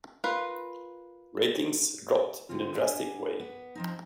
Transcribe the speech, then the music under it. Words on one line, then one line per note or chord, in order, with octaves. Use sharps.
Ratings dropped in a drastic way.
F4 A#4 B4
D3 B3 C4 F4
B3 D4 G#5
B3
F3 C4 D#4